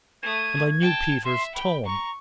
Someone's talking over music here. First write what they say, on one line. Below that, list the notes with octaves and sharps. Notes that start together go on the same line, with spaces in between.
And I knew Peter's tone.
A3 D#6 G#6
G5 A5
E5 C6
G5 B5
A#5 C#6